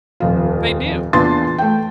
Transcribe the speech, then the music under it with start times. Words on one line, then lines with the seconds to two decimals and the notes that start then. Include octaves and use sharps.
They do.
0.20 D#1 F2 F4
1.13 E2 A#2 D4 B4 C6 A6
1.58 A3 G5